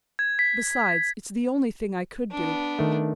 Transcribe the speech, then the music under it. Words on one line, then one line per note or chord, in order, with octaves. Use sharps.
Besides, it's the only thing I could do.
G#6
B6
B3 D4
D#3 A3